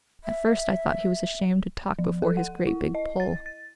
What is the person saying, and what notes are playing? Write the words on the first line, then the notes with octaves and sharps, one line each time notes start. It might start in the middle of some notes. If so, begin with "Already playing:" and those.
At first I thought he was ashamed to talk before his great big Pole.
E5
F3
A4
F#5
E4
D#5
A6
A6